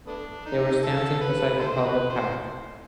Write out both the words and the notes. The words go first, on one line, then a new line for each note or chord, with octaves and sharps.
They were standing beside the public path.
A3 B3 D4
D#4
A4
B4
D#4 A4 C5
A#4
B4
C5